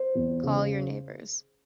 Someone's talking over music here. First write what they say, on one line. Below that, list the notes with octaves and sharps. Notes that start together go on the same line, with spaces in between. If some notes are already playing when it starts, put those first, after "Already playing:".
Call your neighbors!
Already playing: C5
E2
C#3